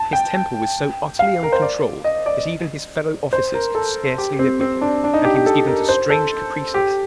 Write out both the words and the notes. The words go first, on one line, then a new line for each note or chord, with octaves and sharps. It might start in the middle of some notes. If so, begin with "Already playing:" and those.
His temper was so utterly uncontrolled that even his fellow officers could scarcely live with him, and he was given to strange caprices.
Already playing: A5
G5
F5
A#4
C5
D5
D#5
D5
C5
A#4
A4
G4
C4
C4
D4
D4
D#4
G4
G4
A4
A#4
C5
A4
G4